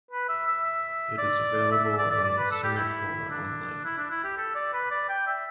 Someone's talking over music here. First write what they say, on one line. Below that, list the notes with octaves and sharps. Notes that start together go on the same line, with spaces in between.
It is available in Singapore only.
B4
E5
E5
E5
D5
E5
E5
D5
D5
D5
B4
A4
G4
E4
D4
E4
D4
E4
G4
A4
D5
B4
D5
G5
E5